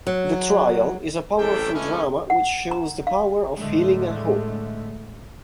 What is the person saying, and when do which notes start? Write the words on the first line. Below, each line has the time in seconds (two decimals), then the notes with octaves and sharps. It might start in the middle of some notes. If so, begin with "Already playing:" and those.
'The Trial' is a powerful drama which shows the power of healing and hope.
0.07 F#3
1.38 A1 C3 C#4 A4 E5 G5
1.73 C#2 E3 G#3 A3 C#4
2.30 F#5
2.71 A#5
3.07 F5
3.57 A2 D3 G#3 A3